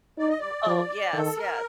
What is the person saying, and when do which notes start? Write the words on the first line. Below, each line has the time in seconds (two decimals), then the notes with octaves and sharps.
R Oh, yes. Yes.
0.18 D#4 D5
0.29 D#5
0.39 D5
0.66 F3
1.13 D#3 A4
1.37 A#4